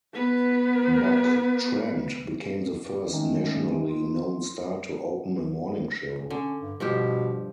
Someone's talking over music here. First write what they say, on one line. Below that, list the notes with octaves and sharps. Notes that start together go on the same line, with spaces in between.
Buck Trent became the first nationally known star to open a morning show.
B3 B4
D#3 G#3 A3 C#4
F4
D3 C#4
G2
G2 B2 F3 G4